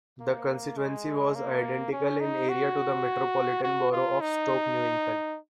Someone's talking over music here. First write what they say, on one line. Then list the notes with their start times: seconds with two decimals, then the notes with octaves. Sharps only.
The constituency was identical in area to the Metropolitan Borough of Stoke Newington.
0.21 A#3
0.77 G#3
1.35 A#3
1.92 C#4
2.21 D#4
2.49 F#4
3.63 F#4
3.92 F4
4.21 D#4